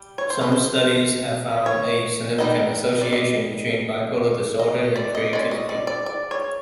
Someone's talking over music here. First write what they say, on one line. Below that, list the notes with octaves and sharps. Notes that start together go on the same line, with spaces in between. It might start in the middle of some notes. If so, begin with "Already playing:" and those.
Some studies have found a significant association between bipolar disorder and creativity.
Already playing: G3
C#5
C5
B4
C5
C#5
D#3 G3 B3 D#4 D#5
D5
D#5
D#5
D5
D#5
G#3 C#4 D5
D#5
D5
D5
D5
C#5